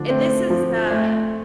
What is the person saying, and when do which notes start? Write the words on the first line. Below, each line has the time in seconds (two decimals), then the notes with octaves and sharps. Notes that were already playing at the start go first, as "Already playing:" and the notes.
Eh, this is, um
Already playing: D3 F3 D4
0.09 A3 C4
0.50 F3
0.91 A3